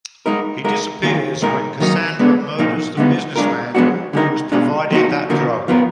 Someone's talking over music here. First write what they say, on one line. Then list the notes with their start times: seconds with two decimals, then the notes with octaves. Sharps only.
He disappears when Cassandra murders the businessman who was providing that drug.
0.26 G#3 D#4 A#4
0.64 G#3 D#4 A#4
1.03 D#3 A#3 F4 G#4
1.42 A#2 G#3 D#4 A#4
1.80 D#3 F#3 A#3 D#4
2.19 G#3 B3 D4
2.59 A#2 F3 A#3 D#4
2.97 D3 G#3 B3 D#4
3.36 G#3 D4 F4 A#4
3.75 F3 G#3 B3 D4 F#4
4.13 D3 G#3 D#4 A#4
4.52 B2 G#3 D4 F4
4.91 F3 A#3 D#4 F#4
5.30 D3 F3 A#3 F4 A#4
5.68 F3 B3 F4 A#4